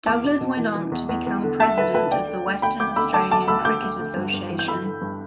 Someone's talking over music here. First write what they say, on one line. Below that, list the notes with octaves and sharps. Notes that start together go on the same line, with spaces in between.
Douglas went on to become President of the Western Australian Cricket Association.
E2 A5 D6
B2
B2
E3
E3
E2
E2
E2
D3
D2 E5 A5
D3 B4 E5
D2 B4 E5
D2 D5 G5
D3
D2
D2 G5 B5
D2 D6 G6
D2 B5 E6
D2 A5 D6
D3 A5 D6
D2 B5 E6
D2 D6 G6
D2
D2
G2
G2
E3
G6
D3 B5 E6
D3
G2